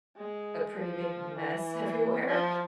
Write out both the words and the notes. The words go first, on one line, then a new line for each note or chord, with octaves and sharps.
a pretty big mess everywhere,
G#3
F3
E3
F3